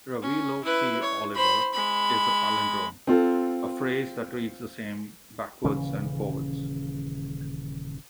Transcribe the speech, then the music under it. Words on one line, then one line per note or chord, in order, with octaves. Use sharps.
"Revilo P. Oliver" is a palindrome-a phrase that reads the same backwards and forwards.
C#4
E4 B4
C#5
C5 B5
G#3 B5
C4 F4 A4
D#1 C#3 E3 C#4